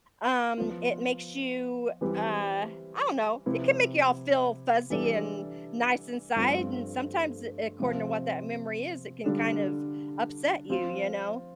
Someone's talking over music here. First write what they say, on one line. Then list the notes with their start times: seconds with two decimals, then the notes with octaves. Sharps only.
um, it makes you, uh I don't know. It can make you all feel fuzzy and nice inside. And sometimes, eh, according to what that memory is, it can kind of upset you. You know?
0.58 F3 B3 F4
2.01 E3 G3 C4 E4 B4
3.46 C3 F3 C4 E4 B4
4.90 E3 G3 D4 A4 D5
6.36 G2 F3 A3 C4 F4
7.80 C3 F3 C4
9.24 D3 G3 D4 F4 A4
10.69 F3 C4 F4 C5